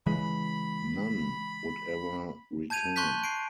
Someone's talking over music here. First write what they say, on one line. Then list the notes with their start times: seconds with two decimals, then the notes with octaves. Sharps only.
None would ever return.
0.06 C#3 E3 G#3 B5
2.70 A5 G6 G#6 D#7 F7
2.96 A5 C6 C#6 F#6 G6 B6
3.24 C7 D7